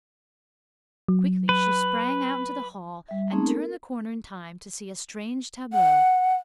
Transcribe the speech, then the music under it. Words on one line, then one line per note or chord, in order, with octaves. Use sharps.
Quickly she sprang out into the hall and turned the corner in time to see a strange tableau.
F#3
B4
G3 E5
A3 A#3 C4 C#4 D#4 G#4
A4 A#4
F#5